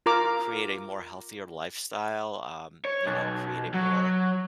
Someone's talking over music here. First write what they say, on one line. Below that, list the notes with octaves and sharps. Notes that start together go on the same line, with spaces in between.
create a more healthier lifestyle, um, you know, create a more
F4 A#4 A#5 D6
C#5
B1
F#3